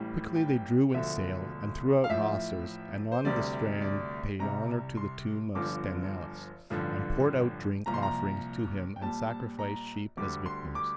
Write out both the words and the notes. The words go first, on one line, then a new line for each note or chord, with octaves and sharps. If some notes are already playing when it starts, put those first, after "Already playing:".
Quickly they drew in sail and threw out hawsers, and on the strand paid honour to the tomb of Sthenelus, and poured out drink offerings to him and sacrificed sheep as victims.
Already playing: A1 A2 E3 G3
G5
E1 D2 D3 F3 E5
F5
A1 A2 F3 E5
C5
D2 C3 G3 D5
D5
C2 C3 G3 A#5
C6
G1 G2 D3 F3 D6
A1 G2 D3 F3
C2 A#2 F3 A#5
C6
A#5
G5
A#1 A#2 G3 A5
A#5
D2 D3 G3 D6
C6
D6